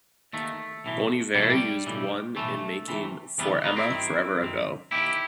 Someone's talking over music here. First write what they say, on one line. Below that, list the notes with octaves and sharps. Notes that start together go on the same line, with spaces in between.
Bon Iver used one in making "For Emma, Forever Ago".
D#2 D#3 A3
B1 A2 E3
B1 A2 E3 G3
A3
G3
B1 A2 E3
B1 A2 E3 A3
E2 C3 E3
E2 C3 E3 G3 B3
B3 D#4
C4 E4
F#2 D#3
F#2 D#3
D#2 D#3 E4 G4